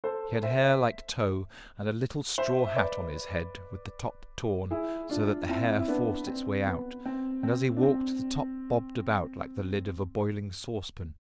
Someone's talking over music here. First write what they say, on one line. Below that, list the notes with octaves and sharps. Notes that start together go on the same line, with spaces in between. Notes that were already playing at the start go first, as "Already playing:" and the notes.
He had hair like tow, and a little straw hat on his head with the top torn, so that the hair forced its way out, and as he walked the top bobbed about like the lid of a boiling saucepan.
A4 C5
C5 E5
C5 E5
E5
B4 D5
E4 G#4
D4 F4
C4 E4
E4
B3 D4
C4
B3
C4
C4
D4
C4